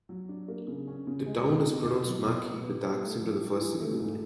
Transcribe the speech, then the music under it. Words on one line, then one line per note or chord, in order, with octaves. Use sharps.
The town is pronounced "Mackie" with the accent on the first syllable.
F#3
D4
A#3
C#3
C#4
C#3
G#3
B2
C4
B2
F#3
B2
B3
B3
G4
A3
F3
G4
E3
A3
G#2